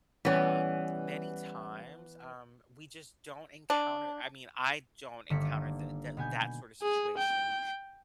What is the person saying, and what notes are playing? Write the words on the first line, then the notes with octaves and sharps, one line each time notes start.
um, many times, um, we just don't encounter I mean, I don't encounter the that that sort of situation,
E3 G3 B3 C#4
D4
G1 D3 D#3 A#3 B6 C#7
B2 B3 G#5 G6
G#4
G5